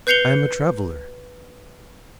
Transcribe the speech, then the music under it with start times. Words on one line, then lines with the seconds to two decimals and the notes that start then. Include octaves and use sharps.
I am a traveler!
0.07 B4 G6 C7 C#7 F7 G7